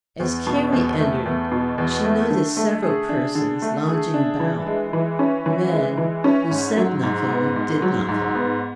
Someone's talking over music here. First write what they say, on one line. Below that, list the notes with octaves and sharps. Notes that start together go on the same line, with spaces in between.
As Carrie entered she noticed several persons lounging about--men, who said nothing and did nothing.
E2
B2
E2
A3
E2
B2
E2
A3
D3
A3
G#4
D4
D3
A3
G#4
D4
E3
G#3
E3
C#4
E3
G#3
E3
C#4
G#2
F#3
G#2
B3
G#2
F#3
G#2
B3